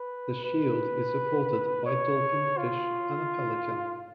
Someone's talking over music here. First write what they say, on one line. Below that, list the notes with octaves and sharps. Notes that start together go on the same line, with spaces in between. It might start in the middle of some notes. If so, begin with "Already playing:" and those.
The shield is supported by a dolphin fish and a pelican.
Already playing: B4
B4
C#5
F4